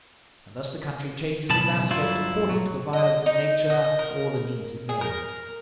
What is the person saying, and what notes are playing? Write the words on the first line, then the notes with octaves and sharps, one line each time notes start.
And thus the country changes its aspect according to the violence of nature or the needs of men.
B1 C#3 A5 B5
G2 F#3 E4 F4
F#3
D#5
D#4
D#5
A#4
G#4
A#4